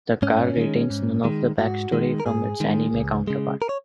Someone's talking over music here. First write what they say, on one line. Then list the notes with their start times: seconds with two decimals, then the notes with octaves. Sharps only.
The car retains none of the back story from its anime counterpart.
0.22 G#2 C#4
0.57 D#3 G#3
0.90 G#2
1.24 D#3 G#3
1.58 G#2 F#4
1.92 D#3 G#3
2.20 A#4
2.26 G#2 G#4
2.60 D#3 G#3
2.94 C#2
3.27 C#3 G#3
3.62 A#4
3.69 C#5